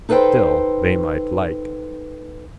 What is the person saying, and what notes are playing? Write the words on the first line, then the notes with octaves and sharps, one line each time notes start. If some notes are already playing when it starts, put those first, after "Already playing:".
Still they might like.
D#4 A4 B4 C5 G5